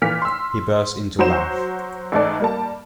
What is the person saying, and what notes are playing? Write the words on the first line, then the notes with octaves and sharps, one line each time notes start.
He burst into a laugh.
A#2 E3 F6 B6
C6 E6
F#3 F#4 C5 E7
A1 G#2 A4 D5
G3 A#3 A5